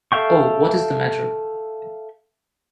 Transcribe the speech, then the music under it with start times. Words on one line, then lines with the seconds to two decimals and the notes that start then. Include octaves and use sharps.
Oh, what is the matter?
0.12 A4 E5 F5 G5 C#6